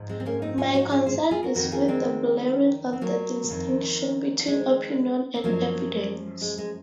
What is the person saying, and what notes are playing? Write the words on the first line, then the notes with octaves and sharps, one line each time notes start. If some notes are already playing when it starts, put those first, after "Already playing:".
My concern is with the blurring of the distinction between opinion and evidence.
Already playing: G#2 F3
G#3 C4
C4
A#3 C#4
C4 D#4
C#4 F4
D#4 F#4
F4 G#4
G#4 C5
F4 G#4
F#4 A#4
F2 D#3 F#4 A#4
F4 G#4
G#3 C4
C4
F#3 A#3
F2 D#3
G#3
C4
F#2 F3 F#3 A#3
G#3
G#3